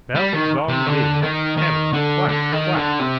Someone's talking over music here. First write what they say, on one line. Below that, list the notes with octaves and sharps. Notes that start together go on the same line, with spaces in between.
Bell, dong, ding; hammer, clash, clash!
G3
D#3
C3
D3
D#3
D#3
D3
D3
D#3
D3
C3